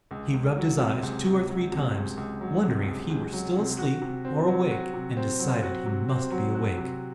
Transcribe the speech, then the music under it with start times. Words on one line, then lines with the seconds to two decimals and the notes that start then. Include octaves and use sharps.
He rubbed his eyes two or three times, wondering if he were still asleep or awake and decided he must be awake.
0.11 C#2
0.34 C#2
0.57 F#3
0.80 C3
1.03 C#2
1.26 C#2
1.49 F#3
1.72 C3
1.95 C#2
2.17 C#2
2.41 F#3
2.64 C3
2.87 C#2
3.10 C#2
3.33 F#3
3.56 C3
3.79 F#4
4.02 C3
4.25 C4
4.48 F#3
4.71 F#4
4.94 C3
5.17 C4
5.40 F#3
5.63 F#4
5.86 C3
6.09 C4
6.32 F#3
6.55 F#4
6.78 C3